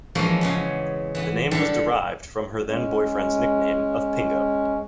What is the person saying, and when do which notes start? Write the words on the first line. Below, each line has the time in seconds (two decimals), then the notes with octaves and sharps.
The name was derived from her then boyfriends nickname of Pingo.
0.15 E3 F3 G#3 A#3 C#4 E4
0.41 C#3 E3 B3
1.15 E3 B3
1.51 D3 G3 E4 A4
2.67 G#3 C#4